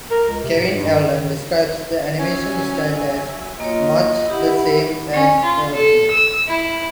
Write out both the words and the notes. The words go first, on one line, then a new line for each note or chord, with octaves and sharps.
Kevin Eldon describes the animation style as 'much the same as the original'.
A#4
C#2
C3
G#2
G2
D#3
F#3 C#4 E5 G#5
A#3 F4 F#4 C#5 D#5
E4 G4 F#5
C#4
F4
A4
E6
E4